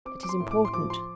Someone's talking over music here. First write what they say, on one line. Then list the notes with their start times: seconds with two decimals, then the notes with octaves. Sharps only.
It is important.
0.05 C4 D6
0.23 D6
0.29 C6
0.40 A2
0.51 D6
0.65 C6
0.73 F3 D6
0.90 C6